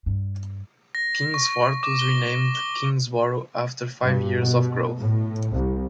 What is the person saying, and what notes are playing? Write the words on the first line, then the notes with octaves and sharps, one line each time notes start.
Kings Fort was renamed Kingsboro after five years of growth.
G2
A#6
C#6
D6
G7
G7
G2
B2
A2
C2